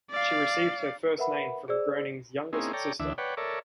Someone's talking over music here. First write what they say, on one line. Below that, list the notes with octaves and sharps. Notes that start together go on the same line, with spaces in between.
She received her first name from Groening's youngest sister.
D5 F5
A#4 B4 E5 F#5 B5
G#4 C5 D5 E6
A#3 C4 C#4 D#4 E4 G#4
A4 C#5 D5 G5 A#5
D2 E3 D4 E5
B4 C#5 D5 F#5 G5
A4 A#4 C#5 D5 E5